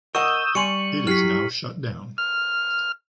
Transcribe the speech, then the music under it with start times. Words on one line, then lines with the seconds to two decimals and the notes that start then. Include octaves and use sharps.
It is now shut down.
0.15 A#4 D#5 F#5 C#6 D#6 E6 G6
0.55 G3 G#5 C6 C#6 C#7 D#7 F#7
1.07 F#3 E4 G4 F6 B6 C7
2.18 F6